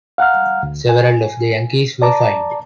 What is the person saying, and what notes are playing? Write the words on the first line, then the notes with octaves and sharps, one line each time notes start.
Several of the Yankees were fined.
F5 F#5 A#5 F6
D2
G#5
D5 A5 A#5 D6